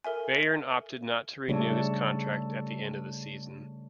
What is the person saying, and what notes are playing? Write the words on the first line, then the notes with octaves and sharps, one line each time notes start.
Bayern opted not to renew his contract at the end of the season.
A4 A#4 E5 G#5
C#3 G3 A3 D4 A4 C#5